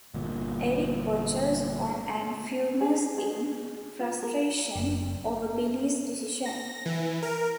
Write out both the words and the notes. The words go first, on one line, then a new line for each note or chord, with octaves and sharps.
Eric watches on and fumes in frustration over Billy's decision.
G1 A#2
G#4
G#4
F4
A#4
F#1
A#6
E3
A#4